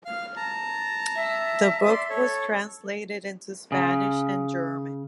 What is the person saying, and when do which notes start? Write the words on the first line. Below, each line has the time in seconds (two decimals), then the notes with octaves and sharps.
The book was translated into Spanish and German.
0.06 F5 F6
0.36 A5 A#5
1.16 E5
1.89 D5 C6
2.10 A4 C#5
3.72 C#3